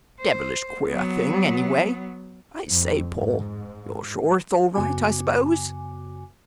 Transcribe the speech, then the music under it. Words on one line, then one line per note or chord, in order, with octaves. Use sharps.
"Devilish queer thing, anyway! I say, Paul, you're sure it's all right, I suppose?"
C5
F#3 B3
F2
G#2
F#2 C#3 B3 F#4 G#5 D6